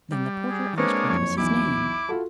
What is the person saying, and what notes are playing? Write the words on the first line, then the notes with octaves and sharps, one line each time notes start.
Then the porter asked what was his name.
G3
G#4
G#3 A#3 C4 D4 B4 C#5
F#1 F2 C#5
B1 E2 E4 D6
F4 F#4 A4